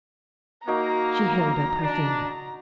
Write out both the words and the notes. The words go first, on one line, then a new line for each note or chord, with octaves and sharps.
She held up her finger.
A#3 D#4 F#4 A#5
D4